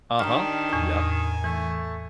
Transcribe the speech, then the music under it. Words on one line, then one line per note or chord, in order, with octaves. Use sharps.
Uh-huh, yep.
D#3 D4 G4 A#5 F6
E2 A2 G#5
E3 A3